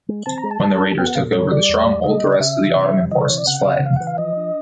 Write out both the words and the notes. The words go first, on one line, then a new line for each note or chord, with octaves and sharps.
When the raiders took over the stronghold, the rest of the Ottoman forces fled.
G#3
C4 A5
A#5
G#3
A5
G3
D4
B3 G5
F#5
A#2 F5
G3 C#5
G3 D5
E2
G3
C#3 D#5
C#3
C#3 E5
E3
C3
G3
E3 D#5
D5
C3 C#5
D5
C#3 F#5
C#3 F5
F#5
C#3 F5
E3 F#5
F5
F3 D#5
D4